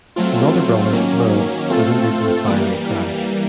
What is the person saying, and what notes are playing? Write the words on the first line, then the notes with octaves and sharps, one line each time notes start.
Another brother, Merle, was injured in a fiery crash.
F#3 A3 C4 F4
D#3 F#3 A#3 C#4
A3 C4 F4 A4
E3 G3 A#3